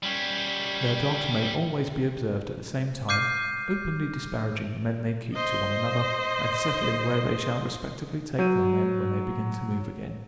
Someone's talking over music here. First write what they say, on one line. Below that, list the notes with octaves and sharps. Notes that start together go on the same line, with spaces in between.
Their dogs may always be observed at the same time, openly disparaging the men they keep, to one another, and settling where they shall respectively take their men when they begin to move again.
G3 C#4
D6 F6 G6 C7 D#7
C5 D#5
F#3 G6 D#7